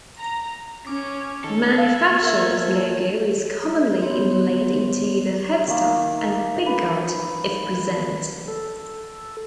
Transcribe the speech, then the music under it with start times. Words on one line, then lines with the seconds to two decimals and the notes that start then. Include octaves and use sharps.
The manufacturer's logo is commonly inlaid into the headstock and pickguard, if present.
0.18 A#5
0.87 C#4 C#5 D6
1.44 D#3 A4 G#6
1.78 F5
2.23 A#3 A#4 E5
4.01 B3 G4 C#5 C6
5.68 D#3 A#3
6.66 B4
8.48 A4